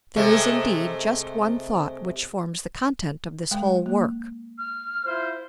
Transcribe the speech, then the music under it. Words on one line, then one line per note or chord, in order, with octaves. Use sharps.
There is, indeed, just one thought which forms the content of this whole work.
C3 G#3 A3
G#3 G5
A#3
F6
E4 F4 C5